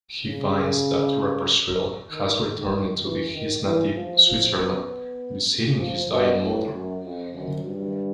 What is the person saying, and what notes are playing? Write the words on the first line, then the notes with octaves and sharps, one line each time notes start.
He finds that Rapperschwyll has returned to his native Switzerland, visiting his dying mother.
C#3
D#3
D#3
E3
D#3
E3
F3
F3
B3
F3
B2
A2
F#2
F2
F#2
G2